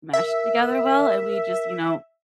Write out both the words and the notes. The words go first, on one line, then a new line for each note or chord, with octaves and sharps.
mesh together well, and we just you know,
A#4 E5